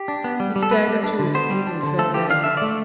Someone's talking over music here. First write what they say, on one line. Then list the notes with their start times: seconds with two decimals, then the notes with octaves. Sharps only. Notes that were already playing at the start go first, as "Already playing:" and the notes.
He staggered to his feet and fell down.
Already playing: G4
0.08 D4
0.24 B3
0.40 G3
0.56 G3
0.63 A4
0.71 B3 B4
0.88 G3
1.04 D4
1.19 D3
1.34 B3 C5
1.51 G3
1.67 D4
1.83 D3
1.99 A3 A4
2.14 F3 G4
2.30 D4 F5
2.44 D3 E5
2.57 A3 D5